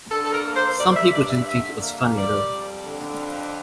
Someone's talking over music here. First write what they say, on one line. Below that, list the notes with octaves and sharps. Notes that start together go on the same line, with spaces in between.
Some people didn't think it was funny at all.
D3 A4
A4
A#4
A#3
C5
G3 D5
E5
G2 D5
E5
D3 E5
A#3
G3 D5
F2
D3
F2